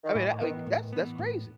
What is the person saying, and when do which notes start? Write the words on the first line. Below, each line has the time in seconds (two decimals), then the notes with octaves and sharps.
I mean, I like, that's that's crazy!
0.04 D#3
0.15 A2 E3
0.41 D#3 E3 B3
0.67 A2
0.93 E3 B3
1.18 A2